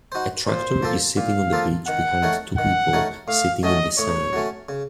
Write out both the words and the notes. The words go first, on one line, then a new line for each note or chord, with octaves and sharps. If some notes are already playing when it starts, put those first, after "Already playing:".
A tractor is sitting on the beach behind two people sitting in the sand.
D#4 F#4 C5
A#2 C5
F3 A#3 F4 A4
A#2 F5
F3 A#3 F4 A4
D#3 F#5
A3 D#4 A#4 C#5
D#3 F#5
A3 D#4 A#4 C#5
A2 F5
F#3 A3 C#4 D#5
A2 C#5
F#3 A3 C#4
C#3